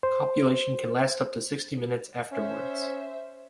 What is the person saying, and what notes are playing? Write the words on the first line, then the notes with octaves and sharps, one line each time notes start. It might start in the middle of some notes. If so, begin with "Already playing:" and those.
Copulation can last up to sixty minutes afterwards.
C5
C#4 C5 E5